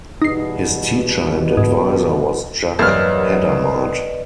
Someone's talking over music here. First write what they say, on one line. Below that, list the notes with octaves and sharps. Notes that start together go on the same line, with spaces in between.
His teacher and advisor was Jacques Hadamard.
E2 G2 B2 D#4 C7
G#2
E2 G2 F#3 A#3 B4 D5 D#5 F6